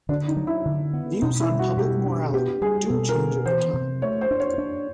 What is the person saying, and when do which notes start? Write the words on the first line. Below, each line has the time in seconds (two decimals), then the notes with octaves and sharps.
Views on public morality do change over time.
0.09 D3 D4
0.28 D#4
0.37 F#3
0.47 E4
0.65 D3
0.93 B3
1.22 B2 D#4
1.40 E4
1.50 G3
1.59 F#4
1.77 B2 G4
2.06 D4
2.34 B3 G4
2.61 G3 G#4
2.90 B2 A4
3.09 A#4
3.18 B3
3.46 E3 C5
3.73 C3
4.02 A3 C#5
4.21 C5
4.31 D4
4.40 C#5
4.58 D4